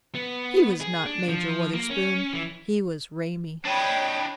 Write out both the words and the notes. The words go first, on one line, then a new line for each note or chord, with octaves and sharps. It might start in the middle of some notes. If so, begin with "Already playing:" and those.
He was not Major Wutherspoon; he was Raymie.
B3
G#4
D4
F3
A#3
C#4
E3
D4 C#5 D#5 G5 B5